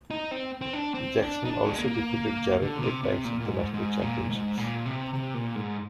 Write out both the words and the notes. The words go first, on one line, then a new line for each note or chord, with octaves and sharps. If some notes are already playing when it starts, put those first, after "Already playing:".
Jackson also defeated Jarrett eight times at the national championships.
D#4
C4
C4
D4
C4
D4
D#4
D4
G#3
A#3
D3
A#2
C3
C3
A#2
A#2
G#2
G#2
A#2
G#2
A#2
C3
C3
A#2
G#2